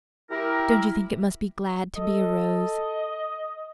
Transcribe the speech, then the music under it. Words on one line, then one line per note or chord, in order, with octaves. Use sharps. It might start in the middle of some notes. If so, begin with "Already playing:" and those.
Don't you think it must be glad to be a rose?
E4 G4 A#4
A4 D#5